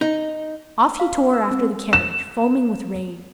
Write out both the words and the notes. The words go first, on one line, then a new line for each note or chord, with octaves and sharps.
Off he tore after the carriage, foaming with rage.
D#4
F5
E6
C4
E7